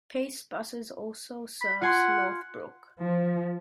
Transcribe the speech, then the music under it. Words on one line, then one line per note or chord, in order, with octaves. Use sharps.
Pace buses also serves Northbrook.
B5
F4 F#5 G#5 C6
F3